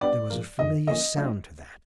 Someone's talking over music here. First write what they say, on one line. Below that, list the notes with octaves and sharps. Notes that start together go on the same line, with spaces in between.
There was a familiar sound to that.
G3 B3 D4 G4 D5
G#2 F3 A#3
F#2 D#3 G#3 D#5
D3 F3 A#3 C#4 D#5
F#3 A3 D4 F4